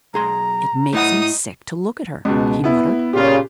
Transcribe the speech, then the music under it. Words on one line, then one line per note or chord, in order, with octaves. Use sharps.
"It makes me sick to look at her!" he muttered.
B1 G#4 A#5 C6
A2 D#4 E4 F#5 D#6
C#2 B2
B3 E4
A#2 C#3 F4 G4